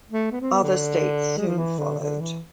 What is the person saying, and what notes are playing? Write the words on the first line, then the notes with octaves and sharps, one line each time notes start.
Other states soon followed.
A3
B3
C4
B3
D3
G#3
F3
E3
D3
D3
E3